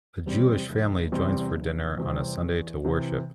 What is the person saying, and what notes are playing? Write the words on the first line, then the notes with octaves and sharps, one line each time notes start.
A Jewish family joins for dinner on a sunday to worship.
E2 C3 G3 C4
F1
E2 C3 G3 C4
F1
E2 C3 G3 C4
E2
C3 E3